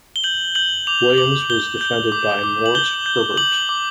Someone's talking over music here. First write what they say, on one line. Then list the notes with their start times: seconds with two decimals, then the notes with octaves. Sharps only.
Williams was defended by Mort Herbert.
0.16 G7
0.24 G6 F#7
0.55 G6 F#7
0.87 D6 F7
1.18 D6 F#7
1.50 G6 G7
1.81 G6
2.12 D6
2.44 D6
2.66 F#7
2.75 G6 G7
3.06 G6
3.37 D6 F#7
3.69 D6